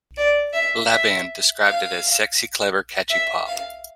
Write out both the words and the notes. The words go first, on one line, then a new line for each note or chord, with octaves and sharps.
Laban described it as "sexy, clever, catchy pop".
D5
E5
E5
F5
E5
F5